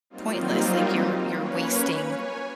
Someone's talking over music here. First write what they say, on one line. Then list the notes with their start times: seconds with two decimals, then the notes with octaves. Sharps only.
pointless. Like, you're you're wasting
0.10 F#3 G3 A#3 C4 D#4 F4
1.29 A#3 C#4 B4 C#5
2.01 C#5 G#5